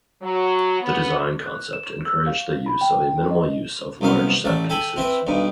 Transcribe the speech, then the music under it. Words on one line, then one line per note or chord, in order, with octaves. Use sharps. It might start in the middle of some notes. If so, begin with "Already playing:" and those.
The design concept encouraged the use of a minimal use of large set pieces.
F#3
B3
F#6
E7
E6
F5
B5
G5
D#5
C2 F#2 B3 F5
A1 A3 D5
A4 G5 G#5 B5
C4 E4 B4
B1 G2 B2